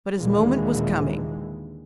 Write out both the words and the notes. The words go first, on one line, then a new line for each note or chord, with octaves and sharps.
But his moment was coming.
D#2 A#2 D3 E3 G#3